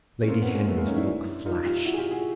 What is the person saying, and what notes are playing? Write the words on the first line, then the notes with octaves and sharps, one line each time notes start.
Lady Henry's look flashed.
C#4
A#3 C4
B3 C#4
G#3 A#3
A3 B3
G#3 A#3
C#4 D#4
D4 E4
D#4 F4
F4 G4
E4 F#4
G#4
F4 G4
F#4 G#4